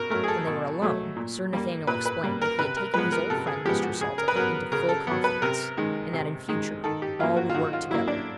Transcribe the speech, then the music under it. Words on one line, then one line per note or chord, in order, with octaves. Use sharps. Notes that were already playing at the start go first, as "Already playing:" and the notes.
When they were alone, Sir Nathaniel explained that he had taken his old friend, Mr. Salton, into full confidence, and that in future all would work together.
Already playing: B2 A#4
F#3 A3 A#4
G#4
A4
B2
F#3 A3
A#2
G3 A#3
A#2 B4
B4
G3 A#3
A#4
C3 B4
A#4
F3 G#3 B3 B4
A#4
C3 A4
G#4
F3 G#3 B3 G4
F#4
C#3 G#4
A#4
B4
F#3 B3 A#4
C#3 A#4
A4
F#3 B3
B4
C3 A#4
D#3 G#3
C3
D#3 G#3
D#3 A4
G4
F#3 A#3 F4
F#4
F4
D#3 F#4
F4
F#3 A#3 E4
D4